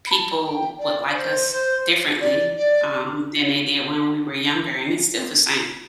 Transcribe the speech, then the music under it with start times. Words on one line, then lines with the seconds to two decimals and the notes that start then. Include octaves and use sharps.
people would like us differently, um, than they did when we were younger, and it's still the same.
0.07 B5
0.11 A5
0.43 G5
0.79 D5
1.14 C5
1.51 C5
2.21 D5
2.57 D5